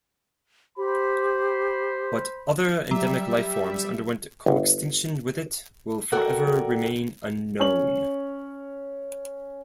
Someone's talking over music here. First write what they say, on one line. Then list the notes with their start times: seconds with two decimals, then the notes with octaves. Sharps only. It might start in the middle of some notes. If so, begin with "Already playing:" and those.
What other endemic lifeforms underwent coextinction with it will forever remain unknown.
0.77 G4 C5 B5
2.91 F#3 G3 G4 E5
4.46 G1
6.12 F#4 A4 A#4 D5 F#5 G5
7.60 C#4 C#5 F#7